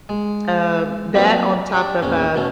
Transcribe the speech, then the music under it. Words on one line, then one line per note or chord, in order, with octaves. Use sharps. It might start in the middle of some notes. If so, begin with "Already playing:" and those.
um, that, on top of, uh,
G#3
F#3 A#3 C4 D#4 B4
D4 G4
A#1 E2 C#4
B2 A3 C#4